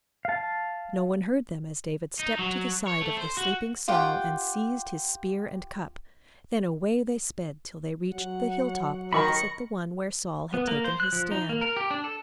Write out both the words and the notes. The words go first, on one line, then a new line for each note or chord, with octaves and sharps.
No one heard them as David stepped to the side of the sleeping Saul and seized his spear and cup; then away they sped till they reached the hilltop opposite the one where Saul had taken his stand.
F5 A5
D#4
F#3
C#5
A3
C5
F#4
F4 G4 F#5 G5
F#3 F#5
D#3 B5 C#6 A#6 C#7
B3
A#3
C5
F#6
F3
D#4
A#3
A#4
G4
D4
A4